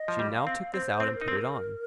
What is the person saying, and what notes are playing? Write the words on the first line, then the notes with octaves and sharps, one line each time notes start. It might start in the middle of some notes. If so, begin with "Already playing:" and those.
She now took this out and put it on.
Already playing: D#5
F3
G3
F5
C4
C4 C5
C4
A#4
D#4
C4